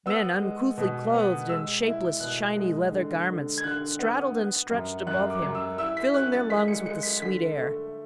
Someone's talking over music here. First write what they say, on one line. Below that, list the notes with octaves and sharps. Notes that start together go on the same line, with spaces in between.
Men uncouthly clothed in shapeless, shiny leather garments, straddled and stretched above him, filling their lungs with the sweet air.
B3 E6
G#3
B2
B3
G#3 E6
E4
B2 F#6
G#3
D3
D3
G#6
D3 F#6
B3
B3
F#2
F#2 F#6
D6
F#2
E6
E4 E6
B6
C#4 F#6
A6
G#3 B6
C#7
G#3 C#7
B6
D3 B6
A3